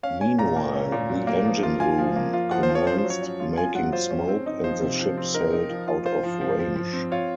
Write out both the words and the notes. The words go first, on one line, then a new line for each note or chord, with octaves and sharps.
Meanwhile, the engine room commenced making smoke and the ship sailed out of range.
C#4 F5
C#4 G#5
A#2 A#5
A#3
C#4
A#2
F#3
A#3
F3
F4
F4 G#5
F3
A#3
F4
F3 F#5
C5
F3
C#5
C#4 C5
C5
F#3
C#5
C#4
F4
F4 G#5
F#3 F#5
F4 C5
C#4
C4
D#4
F3 C5
C3
F3
C4
D#4 A#4
D#4
F3
F4
F4 C5
F3
F3
F3
F3
C4
F4 C#5